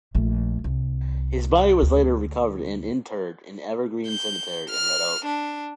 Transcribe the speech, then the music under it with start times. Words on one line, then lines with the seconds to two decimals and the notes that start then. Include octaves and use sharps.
His body was later recovered and interred in Evergreen Cemetery in Red Oak.
0.15 A#1 A3
0.64 C2
1.82 D2
4.08 G6
4.70 F6
5.25 D4